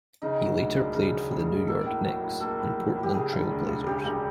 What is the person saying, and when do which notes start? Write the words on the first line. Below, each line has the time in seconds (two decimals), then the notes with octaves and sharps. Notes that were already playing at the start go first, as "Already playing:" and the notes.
He later played for the New York Knicks and Portland Trail Blazers.
0.22 C#3 D#4
0.40 F#3
0.59 D2
0.76 E1
0.95 C#3
1.13 F#3
1.31 D2 G#4
1.50 E1
1.68 A#3 A4
1.86 A2
2.04 F#3
2.22 A2
2.40 A#3 A4
2.58 A2
2.78 F#3
2.95 A2
3.03 G4
3.14 C#3 G#4
3.32 E1
3.50 D2
3.68 E1
3.86 C#3 G4
4.05 E1